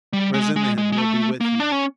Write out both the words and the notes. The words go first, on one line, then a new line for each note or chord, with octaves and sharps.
Razumihin will be with you.
G3
G#3
G#3
G#3
G#3
A3
A#3
D4
C#4